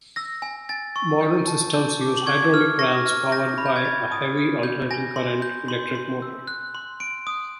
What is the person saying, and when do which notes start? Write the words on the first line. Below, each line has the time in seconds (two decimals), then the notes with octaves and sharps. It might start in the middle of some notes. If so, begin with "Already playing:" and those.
Modern systems use hydraulic rams powered by a heavy alternating current electric motor.
0.16 E6 A#6
0.42 G#5
0.69 G#5 A6
0.96 C#6
1.21 G6
1.47 A5
1.74 A5 G6
2.01 D6
2.26 C#6 G#6
2.54 F6
2.79 C#6 A#6
3.06 F6
3.32 G6 A#6
3.58 B5
3.66 G6
3.76 G#6
3.85 B5 A6
4.12 D#6
4.37 D#6
4.63 G6
4.91 G#5 A#6
5.16 C6
5.42 G6
5.68 C6
5.95 C6
6.22 E6
6.47 F#6
6.75 C6
7.00 C6 D7
7.27 D#6